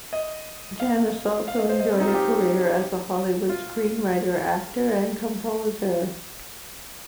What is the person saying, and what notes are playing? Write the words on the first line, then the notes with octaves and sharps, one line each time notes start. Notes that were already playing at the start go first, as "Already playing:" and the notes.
Janis also enjoyed a career as a Hollywood screenwriter, actor, and composer.
D#5
F5
F5
D#5
C5
D#5
C4
D#4
F4
G4
F4